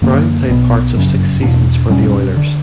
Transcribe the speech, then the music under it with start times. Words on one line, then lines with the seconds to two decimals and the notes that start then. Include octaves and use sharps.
Brown played parts of six seasons for the Oilers.
0.02 F#2 D3 A#3
0.48 B1 B2 G3 B3
0.95 G1 F#2 C#3
1.43 E2 B2 A#3 D4
1.90 E2 B2 G3 C#4
2.37 D3